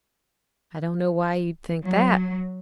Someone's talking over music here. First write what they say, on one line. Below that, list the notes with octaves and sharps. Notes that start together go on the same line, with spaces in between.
"I don't know why you'd think that."
F#3